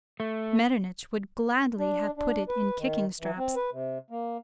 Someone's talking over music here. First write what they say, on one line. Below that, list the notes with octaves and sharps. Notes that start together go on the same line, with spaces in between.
Metternich would gladly have put it in kicking-straps.
A3
D4
D4
B4
D#3
E3
C4
B4
C3
A#3